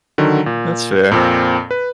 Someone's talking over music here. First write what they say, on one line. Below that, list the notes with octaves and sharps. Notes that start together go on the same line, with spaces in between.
That's fair.
D3 D#3 F#3
A#2
F2 A#2 C4
B4